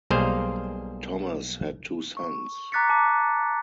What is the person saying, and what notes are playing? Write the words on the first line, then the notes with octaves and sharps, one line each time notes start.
Thomas had two sons.
B1 G3 A#3 G#4 C5 F5
C#6
A#5 D6 F#6 A6 B6 C#7
A5 D6